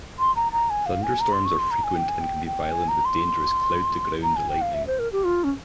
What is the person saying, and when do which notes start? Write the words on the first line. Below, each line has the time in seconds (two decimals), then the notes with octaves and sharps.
Thunderstorms are frequent and can be violent with dangerous cloud-to-ground lightning.
0.19 C6
0.36 A#5
0.52 A#5
0.70 G#5
0.86 F5
1.03 G#5
1.20 A#5
1.33 C6
1.46 C#6
1.59 C6
1.71 A#5
1.84 G#5
1.96 G5
2.09 G#5
2.21 G5
2.46 G5
2.72 G#5
2.88 A#5
3.05 C6
4.23 A#5
4.36 G#5
4.49 G5
4.62 F5
4.74 E5
4.87 C5
4.99 A#4
5.12 G4
5.24 F4
5.44 C#4